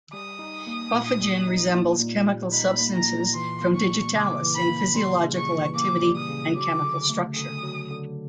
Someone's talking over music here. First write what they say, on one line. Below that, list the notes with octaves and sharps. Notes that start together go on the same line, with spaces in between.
Bufagin resembles chemical substances from digitalis in physiological activity and chemical structure.
G3 D#6
D#4
A#3
A#2
G3
D#4
A#3
A#2
G3
D#4 B5
A#3
A#5
A#2
E3 C6
A#3
C#6
G3
C#3 D6
E3
B5
A#3
G3 C6
C#3
C#6
E3
A#3 D6
G3
D#6
C#3
F#3 D6
D3
A3
D3 D#6
F#3
D3